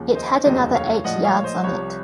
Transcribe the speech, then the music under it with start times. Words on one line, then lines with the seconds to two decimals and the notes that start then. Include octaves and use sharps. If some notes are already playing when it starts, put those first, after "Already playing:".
It had another eight yards on it.
Already playing: D#2 C#3 F3
0.15 C5 D#5
0.45 F1 D#2 C#3 F#3 C5 D#5
0.74 C#5 F5
1.04 A#1 A2 F3 D#5 F#5
1.24 C#5 F5
1.44 C5 D#5
1.64 C2 C3 F3 C#5